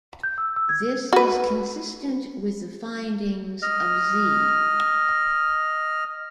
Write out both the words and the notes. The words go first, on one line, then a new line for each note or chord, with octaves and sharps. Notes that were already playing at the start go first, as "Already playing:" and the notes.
This is consistent with the findings of Z.
G6
E6
E6
G#6
F#4 B4
D#5 F6